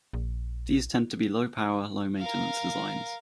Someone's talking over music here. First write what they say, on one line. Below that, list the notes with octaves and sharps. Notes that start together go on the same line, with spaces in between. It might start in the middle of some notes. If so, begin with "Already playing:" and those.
These tend to be low power, low maintenance designs.
A#1
A#4 F5